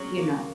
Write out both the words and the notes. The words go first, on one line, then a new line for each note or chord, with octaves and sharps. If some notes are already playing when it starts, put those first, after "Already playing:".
you know,
Already playing: F#3 C#4 G#4
A#3